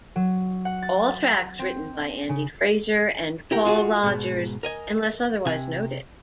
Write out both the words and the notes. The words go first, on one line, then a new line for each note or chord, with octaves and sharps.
All tracks written by Andy Fraser and Paul Rodgers unless otherwise noted.
F#3
F#5
A6
C4
C#3
E4 G4 A#4 F#5
F4 F#4 G#4
G#2 B2
A#4 D#5 G#5
C3 G#5